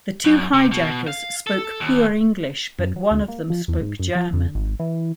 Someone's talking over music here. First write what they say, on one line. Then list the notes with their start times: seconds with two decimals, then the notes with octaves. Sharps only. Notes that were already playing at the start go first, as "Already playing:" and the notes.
The two hijackers spoke poor English, but one of them spoke German.
0.25 F#2
0.54 C3
0.72 B2
1.08 F5
1.47 A4
1.80 D#2
2.79 F#2
2.96 F#3
3.11 D2
3.28 A#3
3.50 F3
3.68 E2
3.81 G#2
3.99 F#2
4.15 F3
4.33 F2
4.55 G#1
4.80 E3